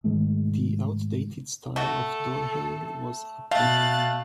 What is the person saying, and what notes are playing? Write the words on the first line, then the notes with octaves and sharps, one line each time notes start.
The outdated style of door handle was updated.
G#2 D#3 G#3 A3
A3 F#4 A4
B2 A3 F5 F#6 A6